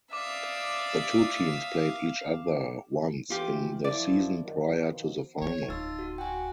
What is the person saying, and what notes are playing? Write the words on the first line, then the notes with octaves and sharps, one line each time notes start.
The two teams played each other once in the season prior to the final.
D5 E5 F5 D6 D#6
E3 F4 G4
E3 F3 E4 D5
F#2 D#3
B2 D#3 F3
D#4 C#5
D1 D#4 F4 E6
F#4
F#4 G5 G#5